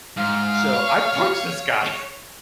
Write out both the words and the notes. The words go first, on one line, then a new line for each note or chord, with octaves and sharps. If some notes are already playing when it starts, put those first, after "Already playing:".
So, I punched this guy,
G#2 F5
C#5